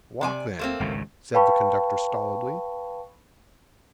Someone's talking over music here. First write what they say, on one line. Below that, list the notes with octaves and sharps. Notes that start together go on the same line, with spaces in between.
'Walk then,' said the conductor stolidly.
C3 D5 G#5
A3 A#3 C4
G#1 C#2 A2
B4 F5 G5 A5 B5 C#6